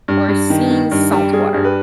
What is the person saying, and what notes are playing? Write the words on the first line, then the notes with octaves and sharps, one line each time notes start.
or seen saltwater.
G2
G2
D#3
D#3
G2
G3
G3 G#4
G2
B4